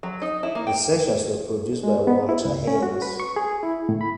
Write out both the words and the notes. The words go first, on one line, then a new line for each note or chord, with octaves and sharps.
The sessions were produced by Walter Haynes.
F#3
D#4
E4
A#3
G5
G#3
B3
E4
C#2
C#4
F#4
B4
C#6
G#4
E4
A2
B5